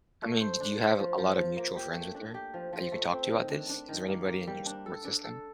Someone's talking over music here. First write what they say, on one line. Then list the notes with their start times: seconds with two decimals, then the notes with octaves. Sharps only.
I mean, did you have a lot of mutual friends with her that you can talk to about this? Is there anybody in your support system?
0.22 A3
0.41 C5
0.60 D4
0.80 C5
0.99 F3
1.18 F3
1.37 F3
1.57 A#3
1.76 G4
1.95 A3
2.14 D4
2.34 G4
2.54 F3
2.73 F3
2.92 A3
3.12 C4
3.31 D#3
3.50 D4
3.69 D4
3.89 D#3
4.08 A#3
4.27 A#3
4.47 G3
4.66 D4
4.86 A4
5.05 D4
5.24 A4